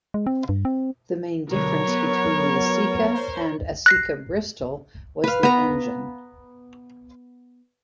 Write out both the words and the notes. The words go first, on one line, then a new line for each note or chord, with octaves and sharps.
The main difference between the Aceca and Aceca-Bristol was the engine.
G#3
C4
G2
C4
B2 D3 F#3 A#4 C#5
F#3 B3
C5
F#6 A#6 C7
B4 F5
B3 A#5